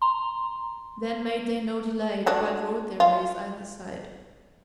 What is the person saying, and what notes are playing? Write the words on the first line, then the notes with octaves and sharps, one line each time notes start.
Then made they no delay but rode their ways either side.
A#5 C6
F#3 A3 D4
F4